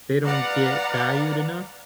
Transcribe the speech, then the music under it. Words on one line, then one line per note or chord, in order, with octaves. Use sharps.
they don't get valued enough
B4 D5 F5 F#5 A#5